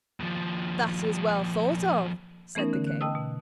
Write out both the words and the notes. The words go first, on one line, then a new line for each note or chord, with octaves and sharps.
"That is well thought of," said the King.
D#2 F3
E3 A3 B3 C#4 D#4 A#4
D3
F#6
D#5 G5 A5 D#6 E6
B2